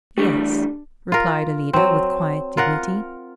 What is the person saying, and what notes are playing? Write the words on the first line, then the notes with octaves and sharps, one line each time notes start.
"Yes," replied Alida with quiet dignity.
E3 G3 A3 D4 G4
F4 A#4
F#3 C4
F4 A#4 F#5